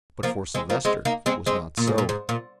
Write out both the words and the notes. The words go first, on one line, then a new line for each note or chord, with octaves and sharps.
But for Silvester it was not so.
F3 A#3
G#3 C4
F3 A#3
G#3 C4
A#3 D#4
G#3 C4
G#3 C4
A#2
G#2
A#2
G#2
A#2